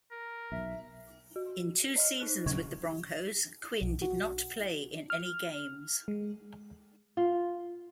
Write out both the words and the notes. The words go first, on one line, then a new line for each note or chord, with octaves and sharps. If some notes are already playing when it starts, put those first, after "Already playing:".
In two seasons with the Broncos, Quinn did not play in any games.
A#4
B1 E5
F#4
C#5 D#5 F6
D#4 C5 F#6
D#1 C#3 F3 F#3 C#6 G#6
B1
F#4
F6
G#3
F4